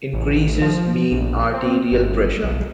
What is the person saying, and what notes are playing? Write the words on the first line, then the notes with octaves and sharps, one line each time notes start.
Increases mean arterial pressure.
A1
F3
A#1
C4
G1
B1